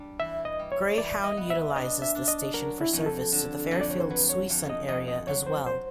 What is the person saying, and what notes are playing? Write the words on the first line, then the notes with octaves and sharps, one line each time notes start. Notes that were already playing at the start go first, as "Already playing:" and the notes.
Greyhound utilizes this station for service to the Fairfield-Suisun area as well.
Already playing: G3 D4
E3 E5
D#5
G3
C#5
E3 D5
D#5
B3
E5
D4 D#5
E5
D4
D#5
F#3 A#4
E4
F2
A4
D3
F2
D5
C#5
C5
F#3 B4
C#5
F2
D#5
F2 D#5
D#5
F#3 C#5
C5
C5